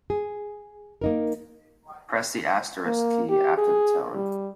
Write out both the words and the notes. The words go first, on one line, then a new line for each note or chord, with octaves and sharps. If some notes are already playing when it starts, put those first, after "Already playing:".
Press the asterisk key after the tone.
G#4
A#3 D#4 A#4
A#3
G4
G#4
G3